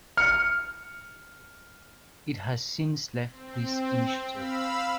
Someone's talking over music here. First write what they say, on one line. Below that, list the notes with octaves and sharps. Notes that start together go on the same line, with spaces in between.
It has since left this initiative.
F6 C#7
C4
F5 B5 E6